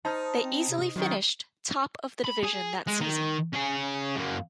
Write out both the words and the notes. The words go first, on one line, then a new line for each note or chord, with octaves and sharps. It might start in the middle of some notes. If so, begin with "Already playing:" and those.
They easily finished top of the division that season.
D#4 C5 A5 F6
C4
C3
A2 D#3 F#3 C#4
B5
G#4 G#5
G#3
D#3
C#4 G#4
F#2 A#3